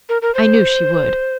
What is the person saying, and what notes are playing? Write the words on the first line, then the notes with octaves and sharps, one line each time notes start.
I knew she would.
A#4
A#4
C5